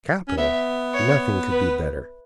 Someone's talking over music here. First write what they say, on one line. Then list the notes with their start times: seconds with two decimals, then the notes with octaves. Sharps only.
Capital; nothing could be better.
0.28 C#4
0.38 B3 E5
0.94 C#5
1.51 B4